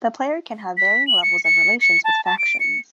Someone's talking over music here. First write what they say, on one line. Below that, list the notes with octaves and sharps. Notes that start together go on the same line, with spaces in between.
The player can have varying levels of relations with factions.
B6
F#7
C#7
C#7
C#7
A5
A5
D7
C#7